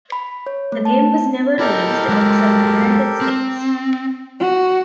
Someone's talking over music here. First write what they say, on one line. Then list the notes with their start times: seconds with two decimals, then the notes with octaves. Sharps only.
The game was never released outside the United States.
0.12 B5
0.47 C#5
0.72 A3
0.85 A5
1.59 E4 G4 A4 A#4 D#5
2.08 F#3 G#3
3.21 C4
4.40 F#4